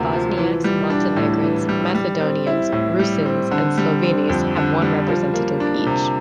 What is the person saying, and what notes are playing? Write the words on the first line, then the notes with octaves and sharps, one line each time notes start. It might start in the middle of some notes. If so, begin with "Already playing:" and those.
Bosniaks, Montenegrins, Macedonians, Rusyns and Slovenes have one representative each.
Already playing: D2 C3 F3 A#3
F3
E3
G3
D4
A2
E3
G3
G3
C4
E4
A2
G3
C4
D3
G3
C4
F2
D3
G3
F3
A#3
D4
C3